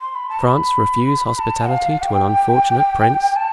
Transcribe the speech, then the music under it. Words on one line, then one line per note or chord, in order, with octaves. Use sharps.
France refuse hospitality to an unfortunate prince?
C6
B5
A5
B5
B5
A5
F5
G5
A5